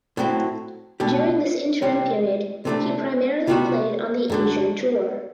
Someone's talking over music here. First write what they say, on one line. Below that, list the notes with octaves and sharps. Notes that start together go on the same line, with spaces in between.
During this interim period he primarily played on the Asian Tour.
A2 F#3 C4 E4
B2 A3 D4 G4
C3 E3 G3 C4
C3 E3 A3 D4
C2 C3 G3 B3 F#4
F#2 D3 F#3